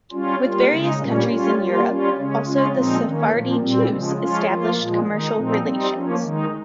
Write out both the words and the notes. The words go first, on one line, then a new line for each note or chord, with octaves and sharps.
With various countries in Europe also the Sephardi Jews established commercial relations.
G3 C#4 F4
G3 A#3 F4
C#3 G#3 D#4
A#2 G3 A#3 C#4
G3 C#4 F4
G3 A#3 F4
G3 C#4 F4
C#3 G#3 C#4
C#3 G#3 C#4 F4
A#2 F3 G#3 C4 D#4
D#3 A#3 C#4
A#2 F3 A#3
A#2 G3 C4
C#3 F3 G#3
F3 G#3 C#4 F4
F3 A#3 F4
A#2 F3 G#3
D#3 G#3 D#4
A#2 F3 C4 D#4
G3 C4 D#4
F3 A#3 C#4
D#3 G#3 D#4